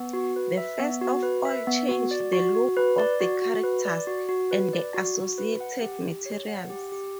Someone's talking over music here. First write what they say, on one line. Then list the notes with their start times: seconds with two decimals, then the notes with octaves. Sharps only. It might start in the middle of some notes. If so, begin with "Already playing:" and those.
They first of all changed the look of the characters and the associated materials.
Already playing: B3
0.13 F#4
0.36 B4
0.57 E5
0.79 B3
1.01 F#4
1.23 B4
1.45 E5
1.67 B3
1.89 F#4
2.11 D5
2.33 F#4
2.55 F#4
2.77 B4
2.98 D5
3.21 F#4
3.42 F#4
3.63 B4
3.85 D5
4.07 F#4
4.29 F#4
4.51 B4
4.73 D5
4.94 F#4
5.16 F#4
5.38 B4
5.60 F#5
5.82 G4
6.04 G4
6.26 C#5
6.48 F#5
6.70 G4
6.92 G4